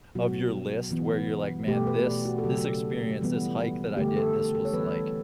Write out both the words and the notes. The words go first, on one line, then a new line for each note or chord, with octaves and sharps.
of your list where you're like, "Man, this this experience, this hike that I did, this was, like
B2 F#3 B3 F#4
E3 B3
B2 A3 G4
B4
D5
F#4
A4
C#3 F#3 A3 G4
E3 G3 B3
D3 A3 G4
A4
A4
A4
C#5
E3 G3 B3 B4